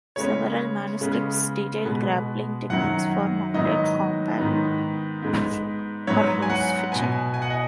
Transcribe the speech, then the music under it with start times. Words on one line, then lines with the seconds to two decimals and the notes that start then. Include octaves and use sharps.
Several manuscripts detail grappling techniques for mounted combat or "rossfechten".
0.16 C#3 G#3 B3 C#5
1.01 C#3 G#3 B3
1.85 B2 G#3 B3
2.70 F#2 D#3 F#3 F#5
3.54 G#2 D#3 F#3 B3 D#5
4.38 G#2 D#3 B3
5.22 G#2 G#3 B3
6.07 G#2 F#3 B3 C#5
6.42 G#5
6.50 F#5
6.92 B2 B3 G#5
7.34 G#5
7.42 F#5
7.50 D#5